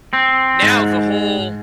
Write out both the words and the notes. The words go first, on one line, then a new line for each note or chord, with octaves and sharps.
now the whole
C4
G#2